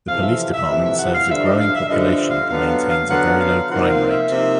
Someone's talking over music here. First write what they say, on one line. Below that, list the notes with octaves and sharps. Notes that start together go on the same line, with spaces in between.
The Police department serves a growing population and maintains a very low crime rate.
F2 C3 E3 F5
E5
E5
F2 C3 E3 E5
E5
F#5
F5
G2 D3 F3 E5
D#5
F5
E5
G2 D3 F3 D#5
E5
F5
D3 F#3 B3 F5
F5
D3 F#3 B3 F#5
F5
C3 F3 A#3 D#4 F#5
F5
E5
C3 F3 A#3 D#4